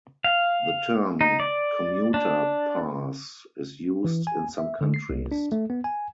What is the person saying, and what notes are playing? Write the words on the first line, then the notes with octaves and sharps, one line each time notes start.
The term "commuter pass" is used in some countries.
F5
D#4
D5
D4
E3
G#5
E5
D3
C7
C2
D4
A3
B3
G#5